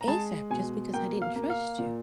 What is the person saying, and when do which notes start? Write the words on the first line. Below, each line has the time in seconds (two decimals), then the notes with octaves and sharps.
ASAP just because I didn't trust you.
0.01 A#5
0.07 G#3 A5
0.50 B2 G#5
0.94 A#3 G5
1.22 F5
1.36 A#3
1.50 F5
1.79 A#2